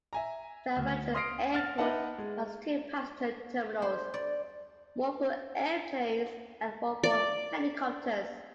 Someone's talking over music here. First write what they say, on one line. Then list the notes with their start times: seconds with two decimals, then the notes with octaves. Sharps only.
Stavanger Airport has two passenger terminals, one for airplanes and one for helicopters.
0.13 E5 G#5 A#5
0.76 D2
1.14 C6 D#6 F6 A#6 C7 D7
1.53 F#5 F6 A6
1.78 D#4 B4 E5 F#5 A5
2.18 G#3
3.82 C5
4.14 D5
7.03 D5